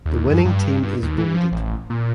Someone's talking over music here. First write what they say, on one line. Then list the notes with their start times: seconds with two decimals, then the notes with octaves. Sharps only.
The winning team is bolded.
0.06 D#2
0.30 F#2
0.45 G2
0.83 G2
1.02 D#2
1.18 E3
1.34 F3
1.52 A1
1.90 A#2